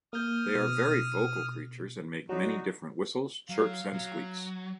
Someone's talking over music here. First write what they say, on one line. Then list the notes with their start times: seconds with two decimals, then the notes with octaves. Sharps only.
They are very vocal creatures and make many different whistles, chirps, and squeaks.
0.13 A#3 D#6 F6 G6
0.55 B2
2.29 F#3 D4 D#4 F#4
3.50 F#3 F5
3.94 F#3